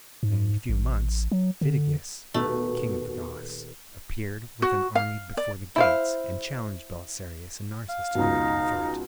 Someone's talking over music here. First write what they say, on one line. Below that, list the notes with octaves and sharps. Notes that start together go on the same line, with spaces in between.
But in a few months, Vit'i-ges, king of the Goths, appeared with an army before the gates and challenged Belisarius and Narses to come out and fight.
G#2
A1
F#3
D3
D#1 B2 A3 D#4 B4
F#4
F5
D5
E4 C5 F5
F5
C#2 B2 D#4